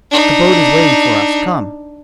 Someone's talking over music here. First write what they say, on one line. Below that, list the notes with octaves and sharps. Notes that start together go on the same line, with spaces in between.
"The boat is waiting for us; come."
D4 D#4